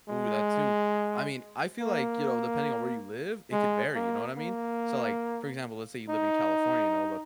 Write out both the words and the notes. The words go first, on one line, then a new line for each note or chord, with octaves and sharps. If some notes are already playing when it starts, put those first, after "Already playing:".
Ooh, that too. I mean, I feel like, you know, depending on where you live, it could vary, you know what I mean, so, like, for example, let's say you live in California, you know, the
G#3
A#3
G#3
A#3
A#3
D#4